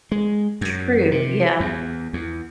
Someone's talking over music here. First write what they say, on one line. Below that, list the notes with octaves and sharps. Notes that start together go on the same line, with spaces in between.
True, yeah.
G#3
F#2
C3
E2
E2